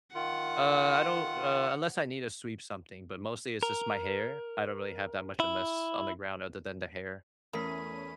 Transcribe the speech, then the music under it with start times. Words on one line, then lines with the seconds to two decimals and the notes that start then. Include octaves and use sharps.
Uh, I don't, uh, unless I need to sweep something, but mostly it's just my hair. I don't really have that much of mess on the ground other than the hair.
0.15 D#3 F4 F#5
3.63 A#4
5.40 E4
7.53 E2 A3 C#4 A#4 B5 G#6 B6 D#7